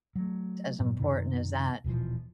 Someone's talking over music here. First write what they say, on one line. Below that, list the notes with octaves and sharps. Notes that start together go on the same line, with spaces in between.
as important as that.
F#3 A3
G2 A#2 F#3 B3
F#2 C3 D#3
D#1 B2 E3 F3